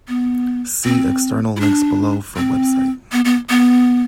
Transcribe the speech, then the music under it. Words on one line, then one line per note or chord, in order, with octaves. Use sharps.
See external links below for website.
B3
C4
E4
D4
C4
B3
B3
B3